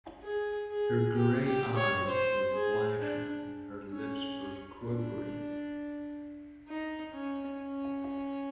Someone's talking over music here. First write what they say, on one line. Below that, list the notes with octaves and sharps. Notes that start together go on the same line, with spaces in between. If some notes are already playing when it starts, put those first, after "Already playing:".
Her gray eyes were flashing, and her lips were quivering.
G#4
G#4
G4
G4
C#5
C5
G#4
D4
C#4
D4
D#4
C#4
C#4